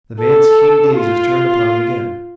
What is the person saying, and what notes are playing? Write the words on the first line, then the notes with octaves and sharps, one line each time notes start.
The man's keen gaze was turned upon him again.
A4
F4